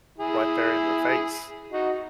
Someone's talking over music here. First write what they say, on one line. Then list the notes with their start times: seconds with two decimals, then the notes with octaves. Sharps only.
right there in their face
0.18 E4 G#4
1.72 D#4 F#4